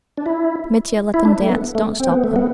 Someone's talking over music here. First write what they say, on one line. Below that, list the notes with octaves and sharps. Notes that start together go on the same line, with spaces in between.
Mitya, let them dance, don't stop them.
D4
E4
E4
D4
A3
B3
A3
C4
B3
A3
B3